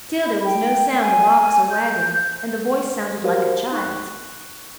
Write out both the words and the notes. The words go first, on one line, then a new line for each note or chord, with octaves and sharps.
Still there was no sound of ox or wagon and the voice sounded like a child's.
B5
G5
G#5
G6
F#4 G4 A#4 C5 F5
D#4 C#6 F#6